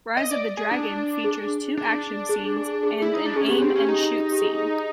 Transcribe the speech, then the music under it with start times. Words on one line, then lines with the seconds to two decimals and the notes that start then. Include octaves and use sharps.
"Rise of the Dragon" features two action scenes and an aim-and-shoot scene.
0.17 D#5
0.31 D5
0.57 G#4
0.71 D4
1.24 G#4
1.77 D4
2.29 G#4
2.57 G#4
2.83 G#4
3.02 E4
3.14 D#4
3.25 D4
3.36 C#4 G#4
3.49 B3 G4
3.62 C4
3.72 C#4 G4
3.89 D#4
4.32 G4
4.42 G#4